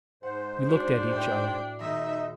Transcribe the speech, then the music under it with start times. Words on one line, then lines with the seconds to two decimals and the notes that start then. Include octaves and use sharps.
We looked at each other.
0.23 G#2 C5 F#5
0.69 D4 F#4
1.12 A2 G5
1.80 D#1 D#4 D#5 E5 A#6